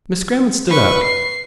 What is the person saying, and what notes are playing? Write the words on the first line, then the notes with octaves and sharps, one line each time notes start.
Miss Grammont stood up.
B4 C#6
C7